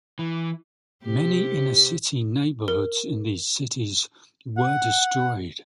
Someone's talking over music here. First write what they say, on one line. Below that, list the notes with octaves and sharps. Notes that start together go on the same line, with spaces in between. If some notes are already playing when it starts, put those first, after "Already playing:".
Many inner city neighborhoods in these cities were destroyed.
E3
C3 G4
A#4
F#5